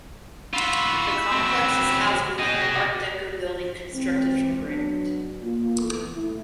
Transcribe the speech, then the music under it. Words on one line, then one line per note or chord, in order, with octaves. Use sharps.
The complex is housed within an art deco building constructed from granite.
F4 F#4 B5 E6
F#3 C4
F#4 G#4 D#5 G5
E3 G#3 A3 C4
F#3 B3 D4
A#3 F4
E3 A3 B3 A4
A3 E4